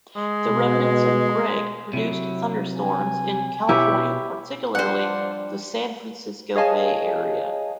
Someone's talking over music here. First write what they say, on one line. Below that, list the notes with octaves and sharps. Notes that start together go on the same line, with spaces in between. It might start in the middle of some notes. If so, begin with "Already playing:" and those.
The remnants of Greg produced thunderstorms in California, particularly the San Francisco Bay Area.
G#3
B2
C3 F#3 E4
G#5
B2 E4 G4 C#5
F3 G3 D4 C5 D5 F#5
G#4 C#5 D#5 F5 G#5 A5